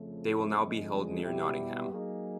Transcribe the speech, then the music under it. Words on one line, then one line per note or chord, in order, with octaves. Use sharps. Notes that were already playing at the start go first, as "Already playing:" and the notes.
They will now be held near Nottingham.
Already playing: F2 C#3 F3 A3
F2 D3 F3 G#3
B2 G3 B3 E4 G4
F#3 A#3 D#4 G#4